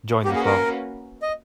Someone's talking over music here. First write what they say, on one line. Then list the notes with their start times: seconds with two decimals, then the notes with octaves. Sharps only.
Join the Club.
0.24 A#3 C#4 F#4 G4 B4
0.36 G#4
0.46 A#4
1.22 D#5